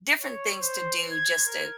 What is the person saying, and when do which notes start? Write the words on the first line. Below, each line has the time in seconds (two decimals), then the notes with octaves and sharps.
different things to do just to
0.19 C#5
0.61 C5
1.11 G#6
1.46 A#4